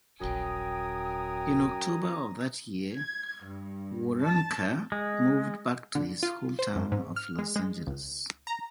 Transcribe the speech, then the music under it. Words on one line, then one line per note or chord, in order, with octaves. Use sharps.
In October of that year, Waronker moved back to his hometown of Los Angeles.
D#1 A#1 F#2 G5 G#5 A#5 D#6
G#6
G2
A5
G#3
D3
F4
C5
F#2
G#2
F6
G#3
G#3
C#2
A#5